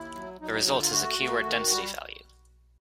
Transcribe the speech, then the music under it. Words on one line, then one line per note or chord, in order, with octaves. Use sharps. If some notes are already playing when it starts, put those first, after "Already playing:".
The result is a keyword density value.
Already playing: D#2 E4
F#3
F#3 D#4
D#4
D3 D#4
F4
A3 F#4
A3
D#3
G3